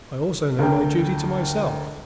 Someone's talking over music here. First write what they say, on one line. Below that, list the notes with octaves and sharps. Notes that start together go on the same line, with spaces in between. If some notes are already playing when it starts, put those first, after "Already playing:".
I also know my duty to myself.
D2 A#4 G5